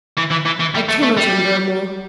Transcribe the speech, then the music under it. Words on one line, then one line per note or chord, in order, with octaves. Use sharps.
I cannot endure more!
E3
E3
E3
E3
G3
A3
A3
G3